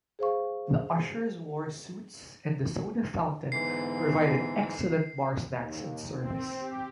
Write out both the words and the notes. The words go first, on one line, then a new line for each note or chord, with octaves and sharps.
The ushers wore suits and the soda fountain provided excellent bar snacks and service.
G#4 C5 F5 C#6
G#2 D3 E3 B3 C7
D#2
C4
G4